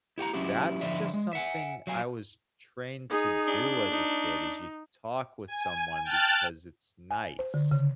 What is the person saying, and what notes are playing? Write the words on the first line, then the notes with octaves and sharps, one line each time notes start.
"That's just something I was trained to do as a kid is you talk with someone because it's nice."
E4 G4 F#5 A#5
F#3 C#4 E4 F#4 G4
D3 F3 D5 E5
G#3
E5 F#5 G#5
F#3 F5 G#5
D#4 G#4
D4
D#4
G#5
G5 A5 F6 F#6 A6
G#5
C5
D3
C#3